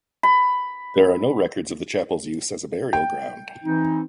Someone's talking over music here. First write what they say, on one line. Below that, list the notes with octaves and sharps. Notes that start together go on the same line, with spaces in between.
There are no records of the chapel's use as a burial ground.
B5
G5
E3 C4 D#4